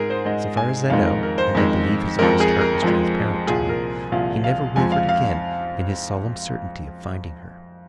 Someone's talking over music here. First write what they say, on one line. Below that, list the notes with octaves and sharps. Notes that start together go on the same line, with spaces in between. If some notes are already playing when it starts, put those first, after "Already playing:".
So far as I know--and I believe his honest heart was transparent to me--he never wavered again, in his solemn certainty of finding her.
Already playing: G#2 G#3 G#4 A#4
C5
G#2 G#3 D#5
G#5
F2 D#3 G#3 F5
A#4
A#4
C5
F2 D#3 G#3
F2 F3 G#3 A#4
G#4
A#4
F2 F3 G#3
C2 A#2 F3 G#4
A#4
C2 A#2 F3 F5
F5
F2 F3 G#3 G#5
F5
F5